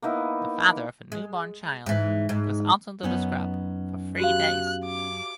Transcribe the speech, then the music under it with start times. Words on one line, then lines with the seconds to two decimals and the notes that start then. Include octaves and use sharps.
The father of a newborn child goes out into the scrub for three days.
0.02 A#3 B3 D#4 E4
1.12 G#3
1.86 G#2 E3
2.29 G#2
3.03 F#2 B3 C#4 D#4
4.20 F#4 G4 F5 F#6
4.85 D6